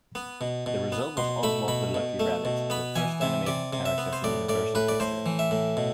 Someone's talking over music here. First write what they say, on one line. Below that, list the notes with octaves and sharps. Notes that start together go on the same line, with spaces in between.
The result was Oswald the Lucky Rabbit, the first animated character for Universal Pictures.
B3
B2
B2
B3
B2 C6
A3 B5
B2 B5
B2
A3
B2
B3 B5
E3 G#5
C3 E5
C3 D5
C3
E5
B3
C5
A2 D5
A2 D5
A2 B4
D5
A2 C5
E3
E5
A2
B2